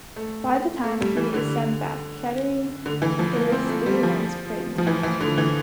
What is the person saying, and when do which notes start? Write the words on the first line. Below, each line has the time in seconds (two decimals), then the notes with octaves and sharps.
By the time he is sent back, Catherine is three months pregnant.
0.16 A3
0.84 A3
1.01 G3
1.17 E3
1.34 D3
2.86 D3
3.02 E3
3.19 F3
3.36 A#3
3.48 A#3
3.52 C4
3.69 A3
3.86 G3
4.03 F3
4.78 F3
4.87 E3
5.03 E3
5.20 D3
5.38 E3